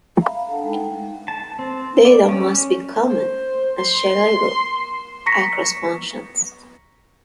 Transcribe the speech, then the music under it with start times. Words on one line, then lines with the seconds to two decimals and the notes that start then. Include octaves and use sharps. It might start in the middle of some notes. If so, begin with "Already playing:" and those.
Data must be common and shareable across functions.
0.21 E5 F5 A#5 B5
0.47 D4 A4 F#5 A5
0.61 G#3 D#4 F#5 G5
1.28 A5
1.59 C4
2.05 D5
2.29 C#4
3.06 C5
3.78 C6
5.26 A#5 C#6 A#6 B6 C#7